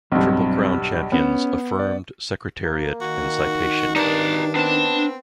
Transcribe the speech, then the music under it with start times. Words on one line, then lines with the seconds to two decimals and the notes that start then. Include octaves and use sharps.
Triple Crown champions, Affirmed, Secretariat, and Citation.
0.12 B1 G2 F#3 C4
1.12 B3 C#4
1.79 D5
2.65 A#3
3.01 D#3 F#4
3.96 G2 D4 D#4 A5
4.55 B3 C4 D4 A5